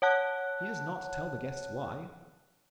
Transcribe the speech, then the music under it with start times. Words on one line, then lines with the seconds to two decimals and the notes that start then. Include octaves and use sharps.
He does not tell the guests why.
0.02 C#5 F#5 A5 F#6